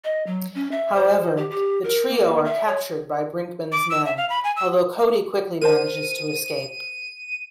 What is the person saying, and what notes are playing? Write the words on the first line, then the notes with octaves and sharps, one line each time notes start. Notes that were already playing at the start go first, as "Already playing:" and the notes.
However, the trio are captured by Brinkman's men, although Cody quickly manages to escape.
D#5
F#3
C#4
E5
C5
G4
G4
A#4
A#3
E5
C#5
D6
E6
E5
F5
B5
G#5
E6
A#4 C5 A5 D#7